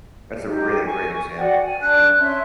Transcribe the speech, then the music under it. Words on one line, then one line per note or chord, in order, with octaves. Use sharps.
That's a really great example for sure.
D#4 G4
G#5 C#6
F#4 D5 F#5 G5
G#5
D4 F#6
C#4 E5 C6